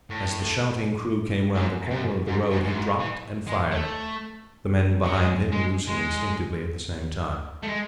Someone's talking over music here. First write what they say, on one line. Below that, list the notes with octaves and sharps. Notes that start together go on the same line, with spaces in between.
As the shouting crew came round a corner of the road, he dropped and fired; the men behind him loosing instinctively at the same time.
A2
G#2
F#2
G#2
F#2
F#2
G#2
E3
G#3
A3
F#3
G#3
G#3
G#3
A3
G#3